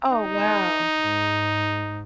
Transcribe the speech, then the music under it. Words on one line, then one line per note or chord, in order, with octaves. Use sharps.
Oh, wow.
D#4
G#2